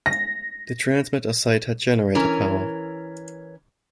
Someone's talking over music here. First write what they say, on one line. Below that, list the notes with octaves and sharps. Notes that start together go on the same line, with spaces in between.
The transmitter site had generator power.
A#6
E3 C#4 A#4